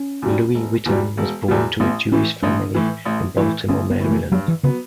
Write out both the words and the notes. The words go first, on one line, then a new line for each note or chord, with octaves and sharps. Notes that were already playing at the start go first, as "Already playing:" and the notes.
Louis Witten was born to a Jewish family in Baltimore, Maryland.
Already playing: C#4
E2 B2 G3
E1
E2 B2 G3
E1
E2 B2 G3
A1 B3
A2 E3 C#4
A1 D4
A2 E3
A1
A2 E3
A1 C#4
B3
A2 E3
A3
G2 F#3
E3
C#3 F#3 B3